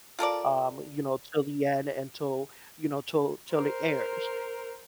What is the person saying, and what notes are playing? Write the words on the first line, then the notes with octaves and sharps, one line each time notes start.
um you know, till the end until you know, till till it airs.
F4 A4 A#4 D5
A#4 C5